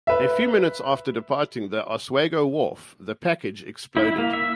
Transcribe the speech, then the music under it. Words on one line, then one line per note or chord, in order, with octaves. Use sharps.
A few minutes after departing the Oswego wharf, the package exploded.
B4 E5
E4
A#3
E5